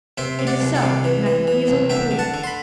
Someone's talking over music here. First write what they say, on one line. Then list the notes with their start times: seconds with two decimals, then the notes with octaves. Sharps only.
It is so, and I can easily prove it.
0.18 C3 C5 E5
0.39 C3
0.47 D5 F#5
0.60 C2
0.75 D5 F#5
0.83 C3
1.04 E3
1.26 E3
1.47 E3
1.68 C2
1.89 D3 E5 G5
2.11 D3
2.19 F#5 A5
2.34 D3
2.44 C6
2.47 B5